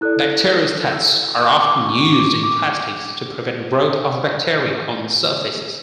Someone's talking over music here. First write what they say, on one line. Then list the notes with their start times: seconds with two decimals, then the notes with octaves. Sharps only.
Bacteriostats are often used in plastics to prevent growth of bacteria on surfaces.
0.01 E4 A4 D5 F#6
0.92 E6
1.60 D6
1.84 C#6
2.13 D6
2.44 D6